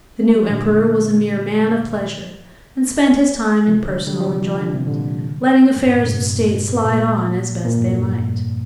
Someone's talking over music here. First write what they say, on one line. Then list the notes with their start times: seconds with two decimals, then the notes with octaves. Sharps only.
The new emperor was a mere man of pleasure, and spent his time in personal enjoyment, letting affairs of state slide on as best they might.
0.20 C4
0.27 A#3
0.35 G3
0.42 F3
0.50 A#2 D3
3.67 C3 F3
3.87 D3 G3
4.07 D3 G3
4.20 G3
4.27 C3 F3
4.47 F3
4.60 D3
4.74 C3
4.87 A#2 D3
5.76 F2
5.86 G2
5.96 A#2
6.06 G2 C3
6.85 A#2
7.65 A#2
7.76 G2
7.88 F2
8.00 G2